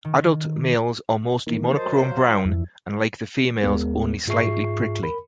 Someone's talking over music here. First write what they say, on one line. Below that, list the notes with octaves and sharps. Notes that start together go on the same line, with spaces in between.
Adult males are mostly monochrome brown and like the females only slightly prickly.
D#3
D#3 E3 A#3
F#3 A#4 C5 D#5 A5
F5
F2 E3 E4
D#2 G#3 B3 G#4 A#4
G#2 F4 G#4 E5 C#6 C7
A#4 B5